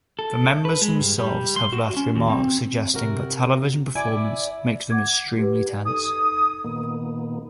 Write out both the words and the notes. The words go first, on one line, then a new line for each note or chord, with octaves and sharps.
The members themselves have left remarks suggesting that television performances make them extremely tense.
A4
B4
G#3
G2
G3
C6
F#4
C#4
D#2
C4
C3 F#4 A#4
E4 D5 G#5 D6
F#5 D6 G#6
G4 B4
D5
D#4 A4 D#6
A#2 D#3 A#3 B3